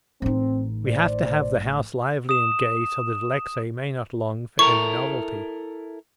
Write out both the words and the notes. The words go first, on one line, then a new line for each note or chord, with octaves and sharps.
We have to have the house lively and gay, so that Alexey may not long for any novelty.
A1 C4 D#4
C5 D5
D#6 E7
E4 A4 A#4 C#6